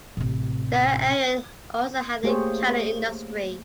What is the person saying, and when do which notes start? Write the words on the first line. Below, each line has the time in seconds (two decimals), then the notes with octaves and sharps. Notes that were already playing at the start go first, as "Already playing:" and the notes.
The area also had a cattle industry.
0.17 A1 C3
2.23 A3 A#3 G4 G#4 C5 C#5